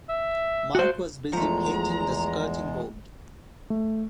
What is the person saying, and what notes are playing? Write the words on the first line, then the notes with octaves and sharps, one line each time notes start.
Mark was busy painting the skirting board.
E5
F#4 C5
E2 F3 G#3 A3 A#5
A3